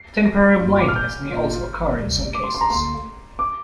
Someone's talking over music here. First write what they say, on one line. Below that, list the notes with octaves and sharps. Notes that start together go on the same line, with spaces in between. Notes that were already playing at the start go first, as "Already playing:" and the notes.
Temporary blindness may also occur in some cases.
Already playing: C7
A#6
G2 G3 A#3 F4
D6
F6
G6
A#2 A#3 F4
D2 C3 G3
D6
C6
C6
A#5
D2 D3 A#3 C6
D6